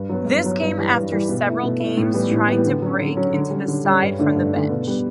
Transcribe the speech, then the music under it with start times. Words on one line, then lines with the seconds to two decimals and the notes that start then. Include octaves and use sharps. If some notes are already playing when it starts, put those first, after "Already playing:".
This came after several games trying to break into the side from the bench.
Already playing: G2
0.09 F#3 B3
0.27 G2
0.44 F#3 B3
0.60 G2
0.78 E3 G3
0.95 G2
1.11 E3 G3
1.29 B2
1.45 A3 E4
1.63 B2
1.80 A3 E4
1.97 A2
2.14 E3 G3 B3
2.31 A2
2.48 E3 G3 B3
2.66 D3
2.82 F#3 C#4
2.99 D3
3.16 F#3 C#4
3.33 D3
3.50 G3 C#4
3.68 D3
3.85 G3 C#4
4.02 G2
4.19 D3 A3 D4
4.36 G2
4.53 D3 A3 D4
4.69 B2
4.87 G3 B3